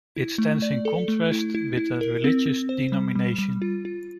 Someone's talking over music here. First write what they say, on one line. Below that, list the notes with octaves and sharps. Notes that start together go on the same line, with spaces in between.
It stands in contrast with a religious denomination.
E4
A3
D5
A4
A3
E4
E4
E4
A#4
C4
C4
C5
G3
G3
G3
F4
F4